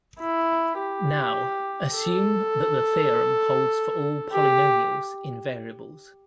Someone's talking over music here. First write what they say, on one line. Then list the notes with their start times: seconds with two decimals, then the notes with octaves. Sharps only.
Now, assume that the theorem holds for all polynomials in variables.
0.20 E4
0.78 G4
1.95 A4
4.32 G4